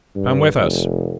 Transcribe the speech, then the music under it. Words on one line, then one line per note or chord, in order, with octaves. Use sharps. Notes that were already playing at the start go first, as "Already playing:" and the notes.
"Come with us!"
G2
F1